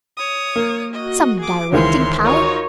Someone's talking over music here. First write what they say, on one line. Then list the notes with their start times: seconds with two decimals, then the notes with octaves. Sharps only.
Some directing Power.
0.17 C#5 D#6
0.56 A#3
0.93 F#4 D#5
1.40 G#4 D6
1.72 C#2 D#3 E3 A#4 C5 C#5 E5 C6
2.24 D#4 F4 F#4 A#4 C#5